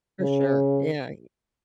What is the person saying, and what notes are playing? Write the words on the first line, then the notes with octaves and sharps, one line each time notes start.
For sure, yeah, m
C#3